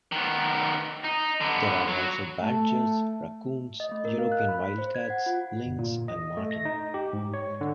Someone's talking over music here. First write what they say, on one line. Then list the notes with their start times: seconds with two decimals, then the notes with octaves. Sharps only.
There are also badgers, raccoons, European wildcats, lynx and marten.
0.12 D#3 B3
1.04 D#4
1.41 D3 B3
1.88 F#3
2.40 A3
3.80 D#5
3.92 A3
4.05 A#4
4.18 F5
4.32 F#6
4.49 B5
4.64 B6
4.78 C5
4.95 G#6
5.10 F#5
5.26 F4
5.65 G1
5.79 A#2
6.08 D#5
6.37 A3
6.51 A#6
6.65 D#4
6.94 G4
7.13 G#2
7.34 C#5
7.61 D3